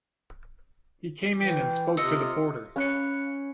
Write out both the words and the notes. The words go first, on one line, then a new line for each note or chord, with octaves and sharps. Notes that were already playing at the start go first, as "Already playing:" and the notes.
He came in and spoke to the porter.
E3 G5
C3 F4 D#5 E6 C#7
C#4 F5 B5 F#6 C#7